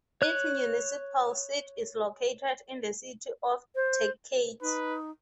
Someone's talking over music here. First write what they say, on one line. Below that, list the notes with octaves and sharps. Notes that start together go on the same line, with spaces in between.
Its municipal seat is located in the city of Tecate.
C#5 F#6
C5
D#4 B4